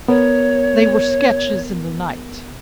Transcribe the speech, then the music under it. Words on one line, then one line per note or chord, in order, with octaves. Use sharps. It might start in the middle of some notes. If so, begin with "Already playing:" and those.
They were sketches in the night.
B3 A#4 C#5